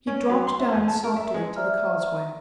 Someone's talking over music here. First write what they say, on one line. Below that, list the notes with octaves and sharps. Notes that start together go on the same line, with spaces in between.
He dropped down softly to the causeway.
C#4
F#3
C6
E5
E2
A5
A#4
E5
G#3
C5 D5 E5 A#5 F6